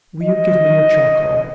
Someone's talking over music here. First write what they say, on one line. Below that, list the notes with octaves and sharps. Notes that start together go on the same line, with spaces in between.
Will you give me your charcoal?'
D#5